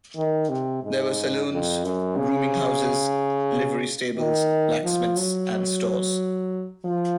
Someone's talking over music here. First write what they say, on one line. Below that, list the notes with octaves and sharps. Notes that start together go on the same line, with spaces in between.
There were saloons, rooming houses, livery stables, blacksmiths and stores.
D#3
C3
G#2
F2
F#2
C#3
D#3
F3
F#3
F3